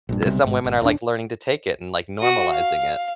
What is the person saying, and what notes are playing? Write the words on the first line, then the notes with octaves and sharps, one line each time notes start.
some women are, like, learning to take it and, like, normalizing it.
A#1 G2
B1 C3 G3
G#1 G#2
G#1
E1 D4
F#4 D#6
F5